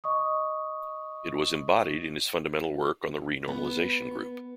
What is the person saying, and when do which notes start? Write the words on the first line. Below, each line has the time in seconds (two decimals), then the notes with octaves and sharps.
It was embodied in his fundamental work on the renormalization group.
0.04 D#5 C#6 D#6
3.48 B3